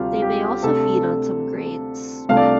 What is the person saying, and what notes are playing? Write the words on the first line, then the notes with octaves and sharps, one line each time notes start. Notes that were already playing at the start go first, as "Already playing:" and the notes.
They may also feed on some grains.
Already playing: D2 C3 G3 F4 G4 A4 F5
G4
C3 A3 D4 A4
C2 C3 A3 D4 F4 F5
D5